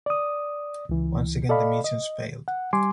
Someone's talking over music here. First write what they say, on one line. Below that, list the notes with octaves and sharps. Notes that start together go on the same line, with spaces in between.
Once again the missions failed.
D5 D#6
C#2 E3
A4 D5 D#5 F5 B5
D#5
F#5
G3 G#5 C6 D6